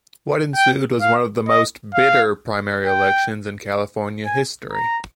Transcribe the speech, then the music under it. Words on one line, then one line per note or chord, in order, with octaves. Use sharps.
What ensued was one of the most bitter primary elections in California history.
G5
F5
D#5
F5
G5
G#5
A#5